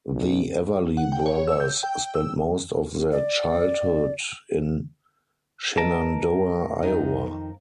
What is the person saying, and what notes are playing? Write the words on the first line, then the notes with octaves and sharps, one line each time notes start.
The Everly brothers spent most of their childhood in Shenandoah, Iowa.
B1
F#5
G5
C#5
E6
G6
G5
E6
D5
A#4 B4 D#5 A5
F2 D#3 D#4